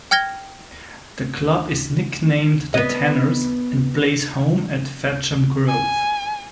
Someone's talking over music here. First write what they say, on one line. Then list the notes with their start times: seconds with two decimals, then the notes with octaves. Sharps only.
The club is nicknamed "The Tanners" and plays home at Fetcham Grove.
0.11 G5 F6 G#6 A#6 G7
2.74 B3 D#5
5.68 G#5